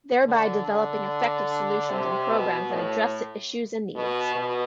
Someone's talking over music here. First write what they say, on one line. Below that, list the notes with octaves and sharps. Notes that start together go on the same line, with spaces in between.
Thereby developing effective solutions and programs that address the issues and needs.
D3
D3
C3
B2
A2
B2
B2